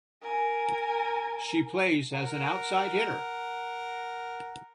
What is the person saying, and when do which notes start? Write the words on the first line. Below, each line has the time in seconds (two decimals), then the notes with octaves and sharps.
She plays as an Outside hitter.
0.21 A#4 G#5
2.12 A#4 F#5